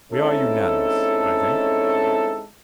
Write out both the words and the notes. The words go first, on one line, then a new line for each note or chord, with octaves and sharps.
We are unanimous, I think.
G#3 C4 C#4 D#4 E4 A4